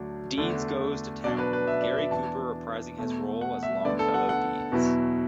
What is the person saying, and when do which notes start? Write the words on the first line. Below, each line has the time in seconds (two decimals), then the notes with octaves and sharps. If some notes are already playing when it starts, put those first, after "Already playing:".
Deeds Goes to Town, with Gary Cooper reprising his role as Longfellow Deeds.
Already playing: D2 D3 F#3 D4
0.37 E2 D3 A3 D4
1.24 B2 F#3 D4 D5
1.39 B4
1.53 B4
1.67 E5
1.82 D5
1.96 E5
2.11 E2 E3 D4 A5
2.98 E2 B2 A3
3.41 F#5
3.63 E5
3.85 D2 D3 B3 D5
3.99 A4
4.14 F#5
4.29 F#5
4.72 E2 B2 F#3 B3 E4